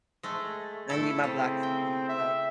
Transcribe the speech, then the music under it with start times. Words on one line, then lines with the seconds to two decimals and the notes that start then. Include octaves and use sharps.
I need my blocks to be, like
0.23 G#3 A3
0.90 A3 E4 A4
1.24 C#3 C4
1.63 G5
2.09 E5